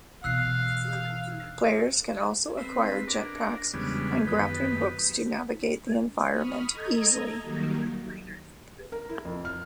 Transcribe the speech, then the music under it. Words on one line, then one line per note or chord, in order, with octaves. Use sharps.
Players can also acquire jet packs and grappling hooks to navigate the environment easily.
B2 E3 F5 E6 F#6 C7
C4 B4
D4 A#4
E2 C#3 G3 G#3 B3 D4
F#2 D#3 B3 G4 B4
B5 C#6 D#6 F6
A4 D#5 A#5 G#6
D#3 F#3 G3 A#3
A#4
E4
F2
F6